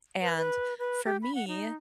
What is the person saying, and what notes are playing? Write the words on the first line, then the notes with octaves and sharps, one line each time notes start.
and for me,
B4
B4
B4
G4
B5
F#5
D#4